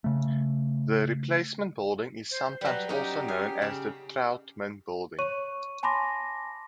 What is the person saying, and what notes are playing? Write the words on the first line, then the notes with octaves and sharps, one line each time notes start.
The replacement building is sometimes also known as the Trautman Building.
C#3 A3
C5
F#3 G3 B4
C#4 D#4 G4
G#4
C#3
C#5 C#6 D#7
G#5 A5 B5 C6 D6 A#6